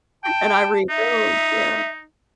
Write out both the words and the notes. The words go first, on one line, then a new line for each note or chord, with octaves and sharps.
and I read those, yeah.
G5 A5
D#4 E5